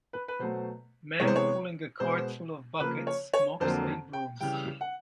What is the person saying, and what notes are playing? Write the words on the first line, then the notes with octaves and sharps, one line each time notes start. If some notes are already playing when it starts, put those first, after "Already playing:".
Man pulling a cart full of buckets, mops and brooms.
B4
B4
B2 F#3 A3 C5
C3 E3 G#3 B3 C#5
C5
C#5
B2 G#3 B3 C5
C#3 F3 A#3 B4
C#5
C#5
F2 D3 F#3 A#3 C5
G5
C#3 E3 G3 G5
F#5